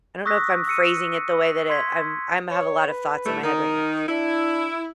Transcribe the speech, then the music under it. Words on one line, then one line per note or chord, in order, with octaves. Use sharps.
I don't know if I'm phrasing it the way that it I'm I'm have a lot of thoughts in my head right now,
C#6 D#6 E6 F#6 A#6 B6
E6 C#7 D#7
C6 G#6 B6
C#5
B4
A2 G3 A3
D#3 D#4 A#4
D4 E4